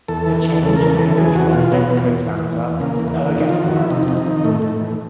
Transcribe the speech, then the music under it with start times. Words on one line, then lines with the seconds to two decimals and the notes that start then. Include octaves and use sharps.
The change angered Roxette co-founder Per Gessle.
0.08 E2 A4
0.26 E3
0.36 A4
0.44 E2
0.63 C#3 A4
0.76 E2 A#4
0.90 A4
0.99 E3
1.17 E2 G#4
1.35 E2 F#4
1.53 B2 F4
1.72 B2 B3
1.90 E2
2.09 E2
2.26 E2
2.44 E3
2.63 E2
2.80 C#3 A#3
3.00 E2
3.08 A#3
3.17 E3
3.35 F2 D#4
3.49 D#3 F4
3.63 F#4
3.71 F2 E4
3.90 C3 D#4
4.08 F2
4.17 D#4
4.26 D#3
4.44 A2 A3
4.62 A2
4.81 E3